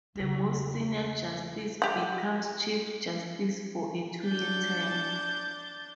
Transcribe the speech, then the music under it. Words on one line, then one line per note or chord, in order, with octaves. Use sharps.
The most senior justice becomes Chief Justice for a two-year term.
E2 C#3
G4 F#5
D4 G6 A6